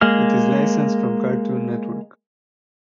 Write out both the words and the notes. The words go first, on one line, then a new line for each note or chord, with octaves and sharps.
It is licensed from Cartoon Network.
G#3 A#3 F6